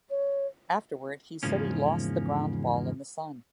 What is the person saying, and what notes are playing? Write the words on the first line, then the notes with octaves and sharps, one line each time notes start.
Afterward, he said he lost the ground ball in the sun.
C#5
E2 G#2 C#3 F3 A#3 C#4